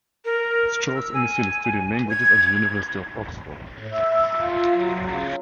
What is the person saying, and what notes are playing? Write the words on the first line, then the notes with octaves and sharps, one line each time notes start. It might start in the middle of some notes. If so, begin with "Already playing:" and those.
Strauss initially studied languages at the University of Oxford.
A#4
E6
G#5
G#6
A2
E5
F4
F#3
C#3